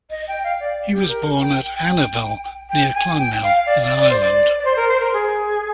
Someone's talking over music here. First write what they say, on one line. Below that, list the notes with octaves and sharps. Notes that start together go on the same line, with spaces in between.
He was born at Annerville, near Clonmel in Ireland.
D#5
G5
F5
D5
G4
A#4
G5
G5
G5
G#5
G5
F5
D5
D5
D5
C5
D5
D5
C5
A#4
C5
A#4
G#4